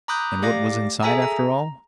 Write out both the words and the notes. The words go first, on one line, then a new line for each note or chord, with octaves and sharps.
And what was inside after all?
A#5 B5 D6 D#6 F#6 G6
A3 G4 D5 F5 D6 A#6
G#4 A4 E5 G#5 A#5
A#5